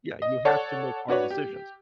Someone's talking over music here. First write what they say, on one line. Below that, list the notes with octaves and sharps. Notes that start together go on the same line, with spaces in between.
Yeah, you have to make hard decisions.
D#5
A4 C#5 D5 F#5 A5
D4 F#4 B4 C#5
G4